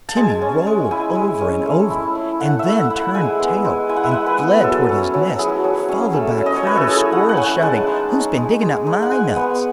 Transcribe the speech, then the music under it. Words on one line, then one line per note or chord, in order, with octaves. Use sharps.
Timmy rolled over and over, and then turned tail and fled towards his nest, followed by a crowd of squirrels shouting-- "Who's-been digging-up MY-nuts?"
A5
G#3 G#5
C#4
G#3
E4 G#5
G#3
C#4
A3
E4
E4
A3 F#5
E5
A3
F#5
E4
F#5
G#3 G#5
B3
G#3
E4 G#5
F#5
E5
G#3 F#5
B4
B3
F#3 A4
C#4
F#3
E4 G#4
F#3
C#4
A3
C#4
D#5
C#5
A3 B4
A4
E4 G#4
A3 F#5
F#5
C#4 G#5
G#3 A5
D#4
D#4
G#3
G#3
D#4
F#5
G#3 G#5
B3